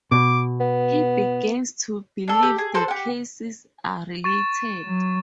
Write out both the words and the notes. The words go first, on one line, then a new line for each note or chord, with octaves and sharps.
He begins to believe the cases are related.
B2 D6
B3
D4 A4
G4
G#4
A4 B4 C5 A#5
G4 F#5
C#6 A6 E7
F#3